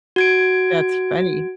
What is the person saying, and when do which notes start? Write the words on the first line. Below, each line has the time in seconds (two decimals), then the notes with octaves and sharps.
That's funny.
0.16 F#4 G#6 D7